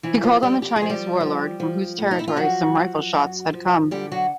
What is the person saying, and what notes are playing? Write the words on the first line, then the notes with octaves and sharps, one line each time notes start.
He called on the Chinese warlord from whose territory some rifle shots had come.
E3 F3 E4
F3 F4
F2 G3 G4
G4
G#4
F3
G3 G4
F3
F3
A2
D#4
E4
F4
F3 F#3 F#4
F3
F#2
F3
D3 G3 G4
F#3 F#4